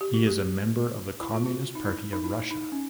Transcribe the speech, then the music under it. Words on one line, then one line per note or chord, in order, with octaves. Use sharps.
He is a member of the Communist Party of Russia.
G4
F#4
G4
E4
F4
F#4
D#4
E4
D#4
E4
D#4
C#4